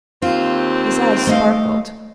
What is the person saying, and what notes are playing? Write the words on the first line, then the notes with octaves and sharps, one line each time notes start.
His eyes sparkled.
D#2 C4 F4
A3 D#5 F5